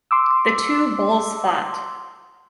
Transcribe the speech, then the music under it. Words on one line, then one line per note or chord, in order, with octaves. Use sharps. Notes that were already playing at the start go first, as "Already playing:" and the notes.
The two bulls fought.
C6 D6 E6